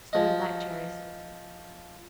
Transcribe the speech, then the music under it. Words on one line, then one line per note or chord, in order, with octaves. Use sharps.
Stone black cherries.
F3 D#5